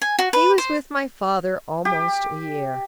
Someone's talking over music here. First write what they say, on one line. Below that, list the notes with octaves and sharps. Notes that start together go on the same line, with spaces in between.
He was with my father almost a year.
G#5
F#4
B4
C5
G4